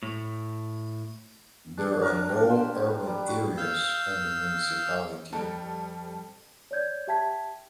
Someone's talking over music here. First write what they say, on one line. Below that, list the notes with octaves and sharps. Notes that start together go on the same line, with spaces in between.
There are no urban areas in the municipality.
A2
D4
A#4
G4
C5
B4
G3
F#4
F5 E6 G6
F2 G3 A4
C#5 D5 G6 G#6
G4 E5 G5 A5 G#6 B6